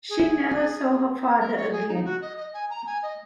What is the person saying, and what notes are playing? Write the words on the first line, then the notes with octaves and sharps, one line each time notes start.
She never saw her father again.
G#4
A#4
C#5
G#4
D#4
F#4
D#5
D#5
G#5
A#5
G#5
D#5